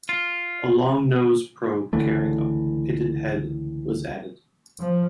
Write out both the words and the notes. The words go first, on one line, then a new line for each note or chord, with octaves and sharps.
A long nose probe carrying a pitot head was added.
F4
C#2 D3 E3 A3
F3